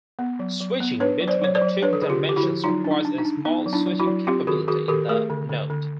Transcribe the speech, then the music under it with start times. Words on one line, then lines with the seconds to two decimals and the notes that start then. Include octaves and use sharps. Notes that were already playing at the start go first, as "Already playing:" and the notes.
Switching between the two dimensions requires a small switching capability in the node.
0.19 B3
0.39 F#3
0.60 F#3
0.80 B3
1.00 D4 B4 C#5
1.21 F#3
1.28 C5 D5
1.42 F#3 C#5
1.55 C5 D5
1.61 F#3
1.82 D4 B4 C#5
1.93 A4
2.01 D3 G#4
2.10 F4 G4
2.23 D3
2.29 G4
2.36 E4 F#4
2.43 F3
2.64 F#3 D#4 F4
2.84 D4
2.91 D#4
3.05 D4
3.18 D#4
3.25 D4
3.45 B3 D#4
3.66 F#3
3.73 D4 E4
3.86 F#3
3.99 E4 F#4
4.07 F#3
4.27 C4 F4 G4
4.47 D#3 F#4 G#4
4.68 D#3 F#4 G#4
4.88 D#3 G4 A4
5.09 A3 G#4 A#4
5.30 D3
5.49 D3
5.70 D3